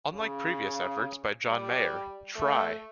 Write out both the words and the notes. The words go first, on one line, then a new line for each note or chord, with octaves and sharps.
Unlike previous efforts by John Mayer, Try!
C#3
G3
A3